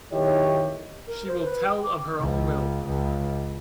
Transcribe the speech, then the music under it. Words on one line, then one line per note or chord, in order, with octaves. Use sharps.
She will tell of her own will.
B1 D#3 E4 G4 C#5 D#5
A#4
C5
B4
G5
D6
C#2
C#2